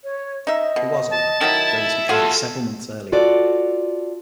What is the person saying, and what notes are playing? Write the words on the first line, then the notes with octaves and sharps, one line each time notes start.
It was, however, ready to be aired several months earlier.
C#5
D#4 D#5 E5
B2
A5
D#3 F#3 E4
F4 F#4 G#4 A4 E5
F4 F#4 A4 D5